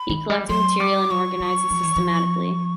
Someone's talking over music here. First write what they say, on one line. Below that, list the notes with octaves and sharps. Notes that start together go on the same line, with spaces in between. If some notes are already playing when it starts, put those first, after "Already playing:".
He collected material and organised it systematically.
Already playing: B5
D#3
G3
F#3 C6
G3 D6
F#3 C#6
F#3
F3
E3
F3